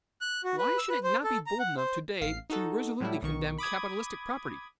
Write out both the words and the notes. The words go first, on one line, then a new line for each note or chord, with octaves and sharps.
Why should it not be bold enough to-day to resolutely condemn capitalistic property?
F#6
F#4
B4
E6
B4
C5
A4
A#5
F#5
C5
A1 F5 C7
D#4 F#4 A4
A2 F#3 G3 A3 E4
B1 D#3 C#6
B5 D6 D#6 G#6